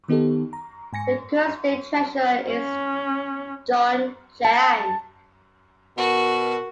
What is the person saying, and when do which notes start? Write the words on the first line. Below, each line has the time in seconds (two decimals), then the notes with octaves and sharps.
The current state treasurer is John Chiang.
0.09 D#3 B3 D#4 G4 A4
0.53 A#5
0.93 G#2 G#5 A#6 C#7
2.50 C#4
4.45 A5
5.97 B2 F#4 A#4